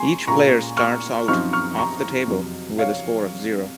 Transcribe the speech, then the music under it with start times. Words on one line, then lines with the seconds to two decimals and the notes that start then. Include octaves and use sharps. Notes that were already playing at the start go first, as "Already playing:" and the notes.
Each player starts out "off the table" with a score of zero.
Already playing: G#5 C6 C#6
0.27 A#2 G#3 C#4 F4 A#5 C#6
0.77 C#6 F6
1.28 F#2 F3 C4 D#4 C#6 F6
1.53 C#6 F6
1.78 A#5 C#6
2.28 F2 C3 F#3
2.78 C#5 F5